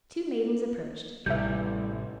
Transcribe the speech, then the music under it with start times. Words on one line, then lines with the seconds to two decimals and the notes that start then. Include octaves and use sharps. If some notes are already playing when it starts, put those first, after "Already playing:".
Two maidens approached.
1.26 A1 E2 C3 E3 G3 E5 G6